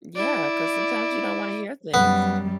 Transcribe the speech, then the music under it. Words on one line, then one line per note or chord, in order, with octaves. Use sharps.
Yeah, 'cause sometimes you don't wanna hear things.
E4 D5
F#2 G3 B3